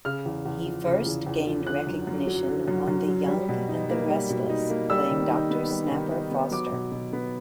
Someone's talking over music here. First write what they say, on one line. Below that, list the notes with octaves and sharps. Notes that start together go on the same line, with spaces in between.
He first gained recognition on "The Young and The Restless", playing Doctor Snapper Foster.
C#3 F6
E2
E2
F3
C#3
E2
E2
F3
D3 F#6
F#2
F#2
F#3
D3
F#2
F#2
F#3
G3
B2
D#4
A#3
G3
B2
D#4
A#3
G3 E6
D#3
D#4
B3
G3
D#3
D#4
B3
F#3 D6
B2
B2
B3